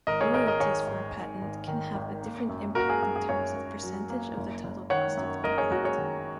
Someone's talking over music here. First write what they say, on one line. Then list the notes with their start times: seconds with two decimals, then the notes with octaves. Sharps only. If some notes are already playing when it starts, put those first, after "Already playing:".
Royalties for a patent can have a different impact in terms of percentage of the total cost of the product.
0.07 G#1 A#4 D#5
0.21 G#4 C#5
0.34 G#1 A#4 D#5
0.47 A#4 D#5
0.60 D#3 G#4 C#5
0.87 G#2
1.15 G#1
1.41 G#1
1.68 D#3
1.95 G#1
2.22 A#3
2.49 F#2
2.75 A#3 F#4 A#4
2.89 G#4
3.02 F#2 G#4
3.16 G#4
3.29 F#2 G#4 C#5
3.56 F#2
3.83 F#3
4.09 A#3
4.37 F#1
4.64 F#1
4.90 D#3 C#5 F#5
5.17 F#2
5.44 F#1 A#4 D#5
5.58 G#4 C#5
5.71 F#1 F#4 A#4
5.84 G#4 C#5
5.98 D#3